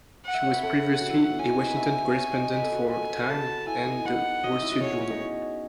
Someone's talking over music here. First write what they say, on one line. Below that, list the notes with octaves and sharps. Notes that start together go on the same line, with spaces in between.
She was previously a Washington correspondent for "Time" and "The Wall Street Journal".
F#5
E5
C#5
B4
A4 F#5
F#4
E4
B3
C#4 G#5
D#4
G#4
B4
E5
C#5
D#5
B4 G#5
A4
F#4
B4
A4 G#5
B4
B4
A4 A5
F#4
E4 G#5
D#4
B3 F#5
C#4 D#5
D#4
E4
F#4
G#4 C#5
G#4
C#4
D#4